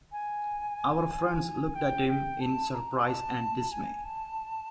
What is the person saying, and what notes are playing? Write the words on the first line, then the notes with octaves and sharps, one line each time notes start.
Our friends looked at him in surprise and dismay.
G#5
G5
G5
A5
A#5
G#5
A5
G#5
A5